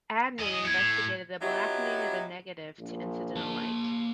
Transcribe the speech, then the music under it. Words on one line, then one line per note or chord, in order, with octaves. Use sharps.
Abney investigated the blackening of a negative to incidental light.
E2 D#5
B3 E4 G#6 C#7
A2 G#6
F#3 B3 D#4 F4 G4 E5
A#1
A#3 A5